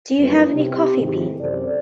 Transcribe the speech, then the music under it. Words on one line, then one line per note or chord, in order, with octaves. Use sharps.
Do you have any coffee bean?
F#2 G3 A#3 E4 B4
C3 G4
G#2 C3 D#3 E3
F#2 C3 A4 C5 D5